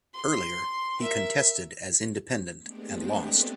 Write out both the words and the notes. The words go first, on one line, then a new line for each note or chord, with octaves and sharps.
Earlier he contested as Independent and lost.
C6
A#4 E5
G#3 A3 B3 C4 D4 G4